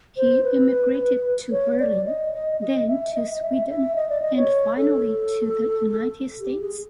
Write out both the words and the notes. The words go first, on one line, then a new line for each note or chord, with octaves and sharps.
He emigrated to Berlin, then to Sweden, and finally to the United States.
C5
B4
C#5
D5
D#5
D#5
D#5
E5
D#5
D#5
E5
E5
D#5
D5
D#5
C#5
A4
G4
G#4